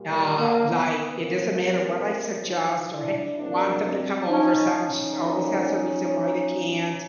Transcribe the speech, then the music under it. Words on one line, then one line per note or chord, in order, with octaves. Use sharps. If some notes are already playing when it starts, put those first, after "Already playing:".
Uh, like, it doesn't matter what I suggest or hey want them to come over some, she's always has a reason why they can't,
Already playing: A#2 G3
A#3
A#3
B3
A#3 C4
F2 C3 E3 G3
D#4 F4
D4 E4
E2 C#3 F#3 A#3 C4 D4
C4 D4
C#4 D#4
C#4 D#4
D#2 D3 F3